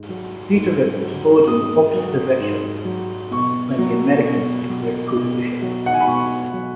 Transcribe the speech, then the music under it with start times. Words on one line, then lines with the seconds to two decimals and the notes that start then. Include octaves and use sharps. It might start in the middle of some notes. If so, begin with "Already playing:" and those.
Later it flowed in the opposite direction when the Americans declared Prohibition.
Already playing: G#2
0.09 F#3
0.55 G#2
1.01 F#3
1.47 G#2 D#6
1.94 F#3
2.39 G#2
2.85 F#3
3.31 B2 C#6
3.78 F#3
4.24 B2
4.69 F#3
5.15 B2
5.62 F#3
5.86 F#5
5.94 G#5
6.01 B5
6.07 B2 C#6
6.53 F#3